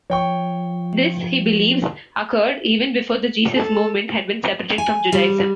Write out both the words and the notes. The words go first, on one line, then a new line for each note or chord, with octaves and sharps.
This, he believes, occurred even before the Jesus Movement had been separated from Judaism.
F3 C#5 G5 C#6
A4
G#5
G3